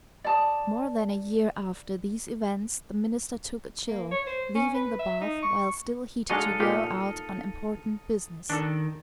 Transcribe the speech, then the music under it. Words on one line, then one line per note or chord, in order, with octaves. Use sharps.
More than a year after these events the minister took a chill, leaving the bath while still heated to go out on important business.
D5 A5 D#6
A#3
C#5
C5
C#4
B4
E5
D#4
C#6
G#3 D4 D#4 F#4 A4 F5
A#2 F4 G4
D#3 D4 A4